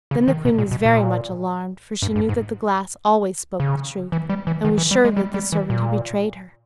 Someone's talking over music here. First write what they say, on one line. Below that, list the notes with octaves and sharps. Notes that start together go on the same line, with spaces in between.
Then the queen was very much alarmed; for she knew that the glass always spoke the truth, and was sure that the servant had betrayed her.
C#3
D#3
B2
A#2
B2
A#2
G2
G2
G#2
C#3
E3
G3
E3
D#3
E3
G3
G#3
G3
G3
E3
A#2